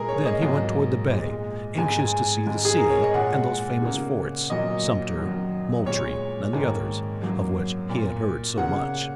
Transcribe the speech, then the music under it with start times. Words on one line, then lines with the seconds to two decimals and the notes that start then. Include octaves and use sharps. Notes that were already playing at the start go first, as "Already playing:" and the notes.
Then he went toward the bay, anxious to see the sea and those famous forts, Sumter, Moultrie and the others, of which he had heard so much.
Already playing: A#2 G#3 G#4 A#4
0.08 C#5
0.25 D#5
0.42 G#2 F#3 A#3
1.10 A#2 G#3
1.78 G#2 G#3 G#5
1.99 G#5
2.46 G#2 G#3
2.65 G#4
2.77 A#4
2.90 C#5
3.02 D#5
3.14 A#2 G#3 F#5
3.82 C#3 A#3
4.50 A#2 F#3 A#3 D#5
5.18 F#2 D#3 F#3
5.86 A#2 G#3 C#5
6.53 G#2 D#3 A#3
7.22 F#2 F#3 A#3
7.89 A#2
7.94 A#3
8.57 C#3 A#3 F#5